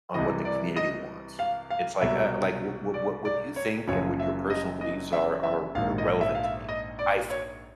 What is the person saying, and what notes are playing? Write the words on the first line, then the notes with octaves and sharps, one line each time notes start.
on what the community wants. It's like, uh, like, what what what you think and what your personal beliefs are are irrelevant to me, I think.
C2 C3 E3 D#5
D5
D#5
F5
F5
C2 B2 E5
D5
D5
C#5
F#1 F#2 C#3 F3 C#5
E5
D#5
D#5
E5
E5
A#1 G#2 D#3 F5
D#5
E5
F5
E5
D#5
D5
C#5